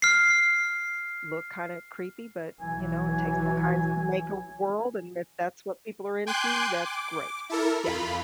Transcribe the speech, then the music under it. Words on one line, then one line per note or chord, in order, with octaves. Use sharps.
look kinda creepy, but, you know, it takes all kinds to make a world, and if that's what people are into, that's great, yeah,
F6 C7
B1 E3 F#3 G#5
G5 G#5 C6 D6 F#6 G6
D6
E4 A4 A#4
F2 F4 B5